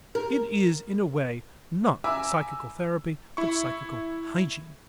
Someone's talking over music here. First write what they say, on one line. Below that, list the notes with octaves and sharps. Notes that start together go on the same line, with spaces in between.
It is in a way not psychical therapy but psychical hygiene.
A#4
E5 G#5 A#5 B5 D6 E6
E4 C#6